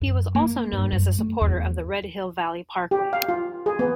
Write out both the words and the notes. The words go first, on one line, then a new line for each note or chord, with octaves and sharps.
He was also known as a supporter of the Red Hill Valley Parkway.
F#2
A#3
G2
F#2
A3
E2
G4
F5
F4
G#4
B3